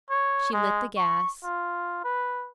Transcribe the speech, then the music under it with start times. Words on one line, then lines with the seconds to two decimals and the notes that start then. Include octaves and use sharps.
She lit the gas.
0.10 C#5
0.53 G#3
0.97 C#6
1.44 F4
2.04 B4